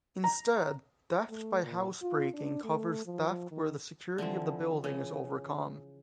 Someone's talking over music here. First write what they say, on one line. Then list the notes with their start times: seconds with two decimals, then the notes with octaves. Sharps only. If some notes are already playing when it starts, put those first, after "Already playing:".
Instead theft by housebreaking covers theft where the security of the building is overcome.
0.24 A#5
1.29 A3
1.64 A#2
2.02 F4
2.34 D4
2.64 A3
3.05 F3
3.51 D#3
4.18 D3 E3 F3 C4
4.84 C#3